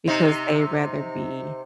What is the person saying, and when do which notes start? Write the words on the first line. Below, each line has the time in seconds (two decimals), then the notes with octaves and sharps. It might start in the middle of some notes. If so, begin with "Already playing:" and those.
because they rather be,
0.07 C3 D#4